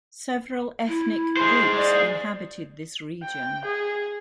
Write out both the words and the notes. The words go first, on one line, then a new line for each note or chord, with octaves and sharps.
Several ethnic groups inhabited this region.
E4
G#4 C5
D5
G5
G#4